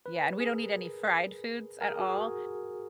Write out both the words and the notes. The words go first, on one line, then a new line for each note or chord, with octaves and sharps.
Yeah, and we don't eat any fried foods at all,
B4
G#4
A#4
A#4
G#4
F#4
G#4